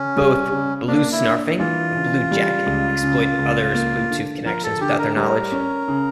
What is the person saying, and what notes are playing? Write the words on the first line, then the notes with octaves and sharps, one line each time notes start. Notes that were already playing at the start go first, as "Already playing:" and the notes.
Both Bluesnarfing and Bluejacking exploit others' Bluetooth connections without their knowledge.
Already playing: C#3 C#4
G3
C#3
A#3 D4
E4
D4
E3 F4
C#3
G3
C#2
C#3
C#2
A#3
D3
F3 A#4
A4
D3 G4
A#4
G3 A#4
C#4
C#3